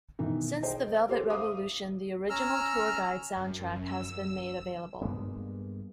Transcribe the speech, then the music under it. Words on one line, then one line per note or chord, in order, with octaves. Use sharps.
Since the Velvet Revolution, the original tour guide soundtrack has been made available.
B2 D#3 E3
G#4 C5 D#5 G5
G4 A4 C5
E5 F5 D6 D#6
C#4 A#5 E6 F6
F#2
E6
G2 G#3 A#3 B3